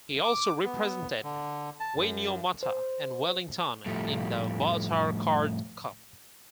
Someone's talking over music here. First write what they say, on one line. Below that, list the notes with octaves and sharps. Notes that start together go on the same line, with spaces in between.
He also represented Wainuiomata and Wellington in the Bartercard Cup.
D6
B3
D3
A5
F#2
C5
A2 F3 G3 A3